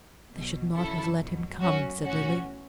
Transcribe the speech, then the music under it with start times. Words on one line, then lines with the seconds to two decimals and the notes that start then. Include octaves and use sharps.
"They should not have let him come," said Lily.
0.32 B1 B2 F#3
0.75 F#2 C#3 F#3 E4 A4
1.17 C#2 B2 F#3
1.61 F#2 F#3 C#4 F#4
2.04 B1 A2 E3 C#4 F#4